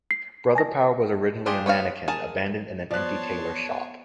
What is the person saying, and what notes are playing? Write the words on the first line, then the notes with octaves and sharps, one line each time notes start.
Brother Power was originally a mannequin abandoned in an empty tailor's shop.
C7
G#5 A5 A#6
D4 F4 G4 G#4
B3 C#5 D#5 F5
G#4 A#4 A5
F3 B3 C#5 D5 A5 C6 F#6